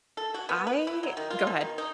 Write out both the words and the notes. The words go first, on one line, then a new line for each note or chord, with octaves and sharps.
I go ahead.
A4
F#4
B3
B4
E4
F#3
D#3
F4
B2
D#3
D#4